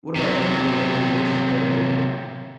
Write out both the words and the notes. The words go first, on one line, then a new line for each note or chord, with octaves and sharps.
What about you? Do you have, like, any dish that, like,
C3 F#3